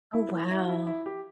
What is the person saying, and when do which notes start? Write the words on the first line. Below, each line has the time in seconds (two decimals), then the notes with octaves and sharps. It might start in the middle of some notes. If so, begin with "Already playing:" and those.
Oh, wow.
0.13 E4
0.51 E4
0.60 F#4
0.69 E4
0.87 E4
1.06 G4